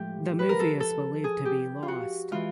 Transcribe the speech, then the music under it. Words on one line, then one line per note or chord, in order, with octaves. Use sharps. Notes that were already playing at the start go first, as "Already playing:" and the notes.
The movie is believed to be lost.
Already playing: A2 F3 G#3 G4
B4
A#4
A4
A4
G#4
G4
F4
F#4
E3 G#3 F4